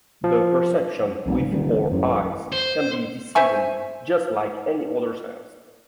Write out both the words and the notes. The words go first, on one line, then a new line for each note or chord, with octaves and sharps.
The perception with our eyes can be deceiving just like any other sense.
F3
F1 C2 G3
G#1 C#3 F3
D#1 D3 E3 G3
A1 F#2 F#3
C5
C5 E5 G#5 C#6